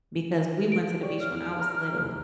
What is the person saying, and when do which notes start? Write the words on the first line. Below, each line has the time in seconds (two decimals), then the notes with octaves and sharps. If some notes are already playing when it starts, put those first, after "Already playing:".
because we went to the beach when I was little,
0.72 D7
1.01 G4 C#5 D5
1.21 E4 F6
1.62 A#5
2.05 C2